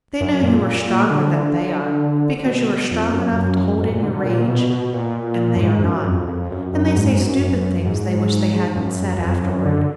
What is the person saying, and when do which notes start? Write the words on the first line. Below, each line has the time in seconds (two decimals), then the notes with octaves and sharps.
They know you are stronger than they are, because you are strong enough to hold in your rage and they are not, and they say stupid things they wish they hadn't said afterward.
0.21 F#2
0.43 A#2
1.11 D3
2.45 B2
2.91 F2
3.13 F#2
3.35 F#2
3.80 G#2
3.92 A#2
4.03 D3
4.09 B2
4.14 D3
4.25 A#2
4.48 B2
4.70 B2
4.93 A#2
5.56 F#2
5.61 G#2
5.83 F#2
6.05 F2
6.28 F2
6.51 F#2
6.73 F#2
6.96 G#2
7.17 F#2
7.85 G#2
8.75 F#2
9.21 F2
9.43 F#2
9.65 D3